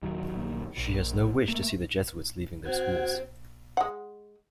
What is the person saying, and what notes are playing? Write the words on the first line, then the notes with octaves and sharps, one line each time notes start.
She has no wish to see the Jesuits leaving their schools.
D1 D#3 F#3
A#1 F#2 A#2 D#3
A#1
A3 A#3
C4 F#4 F#5 G#6
G#3 F#5